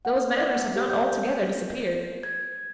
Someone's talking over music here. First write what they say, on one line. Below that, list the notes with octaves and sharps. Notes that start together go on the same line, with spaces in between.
Those manners have not altogether disappeared.
F#5
D5
G4
G6
G#6